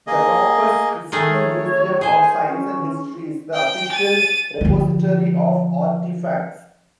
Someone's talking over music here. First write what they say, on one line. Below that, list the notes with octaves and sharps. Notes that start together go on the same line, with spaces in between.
The Corpus Christi Museum of Science and History is the official repository of artifacts.
A#3 G#4 D#5
D#3 A3 G#4
C#5
G#4 C5 G#5
C#4
G5
A6 D#7
D3 F3